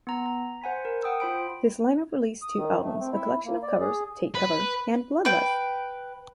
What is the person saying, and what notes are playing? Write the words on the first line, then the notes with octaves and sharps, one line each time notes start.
This line-up released two albums, a collection of covers "Take Cover" and "Blood Lust".
B3 A#5
A#5
C5 F#5 G#5 B5 B6
A#4
F#5 G5 D#6 E6
F4 C5 B5 D7
D#6
D#3
A3
C4
E4
A#3
D5
G#4
B4
B4 G5